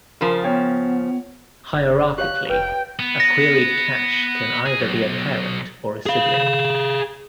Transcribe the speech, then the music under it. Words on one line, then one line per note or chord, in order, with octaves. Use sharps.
Hierarchically, a queried cache can either be a parent or a sibling.
C#3 F3 A#4
B3 C#5 G5
F#1
G4 C#5 F5 F#6
F1 B4 G5
B3
A#6
G#4
B1
G#4 F5